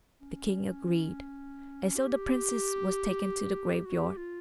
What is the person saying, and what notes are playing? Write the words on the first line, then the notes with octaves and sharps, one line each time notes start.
The king agreed, and so the princess was taken to the graveyard.
C#4
G4
G4
F#4
G4
F4